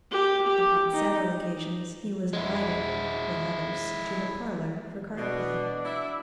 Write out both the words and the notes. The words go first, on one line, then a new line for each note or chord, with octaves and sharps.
Upon several occasions he was invited, with others, to her parlor for card playing.
G4
G4
D#4
G#3 E4
B2 D4
E4 E5